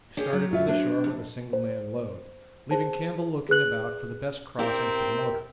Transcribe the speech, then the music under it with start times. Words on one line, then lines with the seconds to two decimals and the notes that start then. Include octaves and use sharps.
I started for the shore with a single man load, leaving Campbell looking about for the best crossing for the motor.
0.17 C#4 G4 G#4
0.33 F#3
0.51 F#2 F4 E5
0.68 D4 C5
1.04 F2
1.53 C5
2.71 G#4 C5 A5
3.49 G#4 B4 F#6 F#7
4.59 C4 E4 G4 A#4